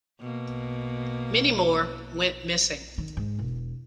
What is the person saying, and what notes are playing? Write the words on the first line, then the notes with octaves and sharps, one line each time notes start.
Many more went missing.
B2 A#3
D#3
G#2
E1